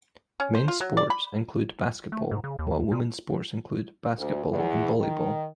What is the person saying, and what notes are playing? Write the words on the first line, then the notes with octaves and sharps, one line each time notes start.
Men's sports include basketball; while women's sports include basketball and volleyball.
C#4
C5
F4
F#3
D5
B5
A3
G#2
C#3
D#2
A#2
D2
E2
D#3